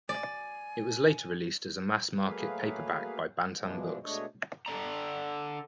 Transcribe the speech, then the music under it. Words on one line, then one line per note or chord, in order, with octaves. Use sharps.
It was later released as a mass-market paperback by Bantam Books.
D5 G#5
F#3 A3 A#3 G#4 B4 F5
G2 B2 E3 F3 G#3 D4
B2 G#3 A3 D4 C#5 D#5
D3 A4 D5 A#5